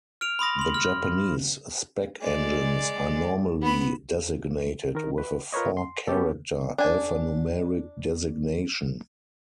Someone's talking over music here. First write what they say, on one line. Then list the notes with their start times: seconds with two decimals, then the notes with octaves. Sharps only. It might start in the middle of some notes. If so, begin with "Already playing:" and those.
The Japanese spec-engines are normally designated with a four character alphanumeric designation.
0.21 F6 D7 F7
0.39 B5 C6 D#6 A#6
0.59 C6 F#7
0.74 F6
2.21 G#3 D5
3.62 B3 B5
4.95 D#3 A#4
5.18 B4
5.53 F4 A#4 B4 C#5 D#5
5.77 C6
6.08 B3 C#4 G4 A4
6.78 D4 G#5